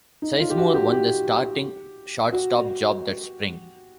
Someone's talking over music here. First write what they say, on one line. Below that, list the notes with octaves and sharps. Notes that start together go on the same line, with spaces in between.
Sizemore won the starting shortstop job that Spring.
D#4
F4
G4
F#4
G4
G4
F#4